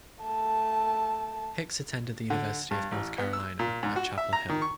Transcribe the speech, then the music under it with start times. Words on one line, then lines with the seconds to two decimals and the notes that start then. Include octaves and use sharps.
Hicks attended the University of North Carolina at Chapel Hill.
0.22 A3 A5
2.30 D3
2.71 G2
2.92 A1
3.18 B3
3.33 E6
3.59 A#2
3.83 G#2
3.96 F#4
4.18 E5
4.33 A#5
4.49 D#3
4.61 C#6